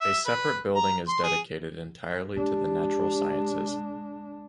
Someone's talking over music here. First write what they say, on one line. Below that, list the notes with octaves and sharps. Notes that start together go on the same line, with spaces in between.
A separate building is dedicated entirely to the natural sciences.
E5
B4
A#5
C6
G#4
G#3 D4 G4